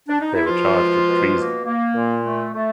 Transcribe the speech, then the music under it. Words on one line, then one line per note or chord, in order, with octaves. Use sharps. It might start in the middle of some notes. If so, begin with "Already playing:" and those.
They were charged with treason.
D4
D#4
E4
B2 F3 F4
G#3
B2
A#3
A#3
A#2
A3
A3